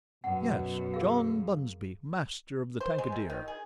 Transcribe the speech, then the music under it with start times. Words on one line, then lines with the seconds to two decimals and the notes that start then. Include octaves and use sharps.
"Yes; John Bunsby, master of the Tankadere."
0.24 F#2 B2 F#5
0.94 G#4 A#4 F5
2.80 C5
2.98 G#3
3.12 C3
3.30 D#3
3.48 G#4